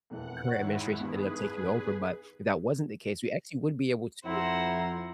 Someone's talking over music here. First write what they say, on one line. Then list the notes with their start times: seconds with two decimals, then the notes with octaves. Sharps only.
current administration ended up taking over, but if that wasn't the case, we actually would be able to,
0.10 E1 F2 E3 F#5 F#6
0.48 G#2 D#3 E4 C#5 F#5
0.99 E2 G2 D#3 G#4 B4
4.25 F2 E4 C5 F#5 A#5